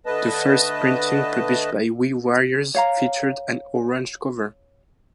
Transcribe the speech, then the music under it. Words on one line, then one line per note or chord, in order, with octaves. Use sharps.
The first printing published by Wee Warriors featured an orange cover.
D3 A3 B4 D#5 A5
C#5 F5 A#5